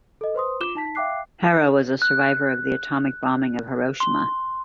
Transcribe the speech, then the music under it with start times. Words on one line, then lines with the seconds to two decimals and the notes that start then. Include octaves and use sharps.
Hara was a survivor of the atomic bombing of Hiroshima.
0.21 A4 D#5
0.34 B4 C5 C6 D#6
0.60 F4 D6 E7 G7
0.75 D#4 A5 B6
0.95 E5 F5 G5 D6 F#6 C7
2.02 F#6
4.00 C6